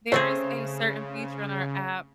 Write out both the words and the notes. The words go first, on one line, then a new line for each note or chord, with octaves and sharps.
there is a certain feature on our app,
C#3 A3 C4 G#4 C5